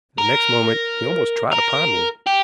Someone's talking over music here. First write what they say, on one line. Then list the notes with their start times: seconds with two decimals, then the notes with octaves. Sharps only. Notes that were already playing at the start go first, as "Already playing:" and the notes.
The next moment he almost trod upon me.
0.18 A#4
1.52 A#4
2.26 G4